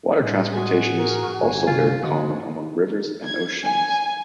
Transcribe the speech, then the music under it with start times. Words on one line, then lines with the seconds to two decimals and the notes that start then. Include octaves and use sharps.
Water transportation is also very common along rivers and oceans.
0.20 A2 G3 G#3
0.53 F#4 G#4
0.98 A#4
1.37 G1 G#5
1.67 C3 F4
2.02 F2 G#2 D3 G#3 F#4
3.24 G#6
3.64 G#5